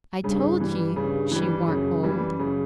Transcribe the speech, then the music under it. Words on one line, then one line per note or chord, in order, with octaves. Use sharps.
"I told ye she wa'n't--old."
G2 C#3
E3 G3
C#3
E3 G3
F#2 C#3
F#2 E3 G3
C#3